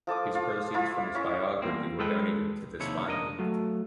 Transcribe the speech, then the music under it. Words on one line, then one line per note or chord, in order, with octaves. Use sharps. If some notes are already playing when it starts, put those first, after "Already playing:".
His proceeds from his biography were donated to this fund.
F3 A4 D6 D#6
F4
E4 F4
C#4 E4
E2 G3 A#3 C4
G#3 A4 B4 G5
D#2 C3 F3 D#4 E4 C#5
D4 A#4 D#5
F#3 A3 F4